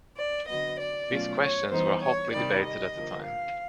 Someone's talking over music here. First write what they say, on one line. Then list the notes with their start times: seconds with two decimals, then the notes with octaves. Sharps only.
These questions were hotly debated at the time.
0.17 D5
0.48 D3 F#3 B3 D#5
0.79 D5
1.09 B2 F#3 A3 C#4 F4
1.40 C#5
1.70 E3 G3 B3 D#4 C5
2.02 C#5
2.33 C3 D#3 G3 D5
2.63 D#5
2.94 D3 F3 A#3
3.24 F5